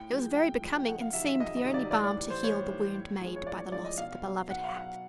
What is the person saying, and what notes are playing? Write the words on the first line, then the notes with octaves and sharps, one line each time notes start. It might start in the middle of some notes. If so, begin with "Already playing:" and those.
It was very becoming, and seemed the only balm to heal the wound made by the loss of the beloved hat.
Already playing: A2 G5
F3 G#3
A2 G5
F3 G#3
G5
F2 F#5
F5
C3 D#3 F#3 E5
E5
F2 D#5
D#5
C3 D#3 F#3
D5
A2 D5
D5
E3 G3
C5
A2 C#5
E3 G3
A2
F3 G#3
C#5
A2 D5
C#5
F3 G#3 D5
D#5
B2 F5
F#3
B2 F#5
F5
F#3 F#5